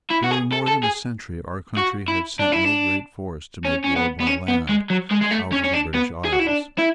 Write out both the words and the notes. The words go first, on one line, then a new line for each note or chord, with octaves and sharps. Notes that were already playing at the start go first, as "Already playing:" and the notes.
During more than a century our country had sent no great force to make war by land out of the British isles.
E4
F#4
G#4
A4
A4
G#4
F#4
E4
D4
E4
D4
C#4
C#4
B3
B3
C#4
B3
G#3
F#3
G#3
G#3
A3
C#4
C#4
D4
B3
G#4
F#4
E4
D4
E4